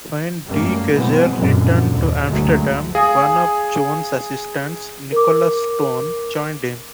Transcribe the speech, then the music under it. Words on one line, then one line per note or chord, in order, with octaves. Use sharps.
When De Keyser returned to Amsterdam one of Jones' assistants, Nicholas Stone, joined him.
F#2 G3 A3 A#3 C#4
B2 E3 F#3 G#3 B3 C4
F#2 A#2 D3
D#2
F#1 D2 F#3 G#3 A3
G#4 F5 G#5 D#6
A#4 D6